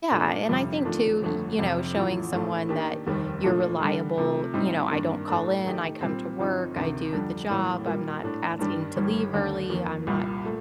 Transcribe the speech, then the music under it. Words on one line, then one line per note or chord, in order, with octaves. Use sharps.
Yeah, and I think too, y you know, showing someone that you're reliable, you know, I don't call in, I come to work, I do the job, I'm not asking to leave early, I'm not
A#2 A3 D4
G1 F2 C3 G3
F2 D#3 A3 D4 F4
G1 F2 D3 A3
F1 F2 C3
A1 A2 F3
A#1 A2 A3
D#3 A#3 D4 G4
F1 D#2 D#3 G3
A#2 F3 A3 D4 F4
D3 G3 D4
C3 F3 A3
A2 G3 C4 D#4
G2 D#3 A#3 D4
A2 A3 D4
D#3 A3 D#4 G4
A#2 G3 C4
G1 G2 F3 C4 D#4
D2 C3 D#3
F2 D3 G3 D4
A1 A2 G3 A#3
A#2 G3 A#3
A2 A3 D4
G2 D#3 G3 D4
G1 G2 D#3 G3
D#2 D3 A3 D4
F2 D#3 A#3
C2 A#2 G3
A#2 A3